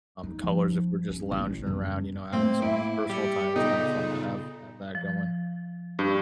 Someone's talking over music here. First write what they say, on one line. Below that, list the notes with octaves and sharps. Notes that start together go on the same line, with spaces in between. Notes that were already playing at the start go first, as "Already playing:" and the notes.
um, colors if we're just lounging around, you know, having some personal time, it's kinda fun to have have that going,
D#4
F3
C#4
A1
F#2 F#3
A2 A3 A#3 C4
E4 E5 D7
G3 G4 C#7
A#2 C#3 B3 D#4 A4 A#6
F3
G2 G4